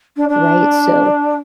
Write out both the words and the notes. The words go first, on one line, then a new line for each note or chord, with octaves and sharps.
right, so
D4
D4